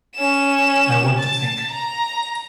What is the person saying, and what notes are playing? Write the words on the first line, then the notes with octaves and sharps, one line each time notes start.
I want to think.
C#4 E7
A5
A#5